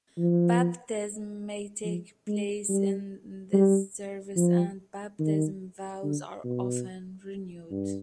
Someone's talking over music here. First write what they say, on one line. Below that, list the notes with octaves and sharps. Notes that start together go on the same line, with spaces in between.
Baptisms may take place in this service and Baptism vows are often renewed.
F3
F3
G#3
G3
G3
F3
D#3
D3
B2
G2